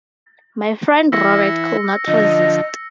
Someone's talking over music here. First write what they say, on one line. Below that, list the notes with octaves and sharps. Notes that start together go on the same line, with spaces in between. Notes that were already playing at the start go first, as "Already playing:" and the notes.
My friend Robert could not resist.
E3 E4 E6 A#6 C#7
D3 F3 D#5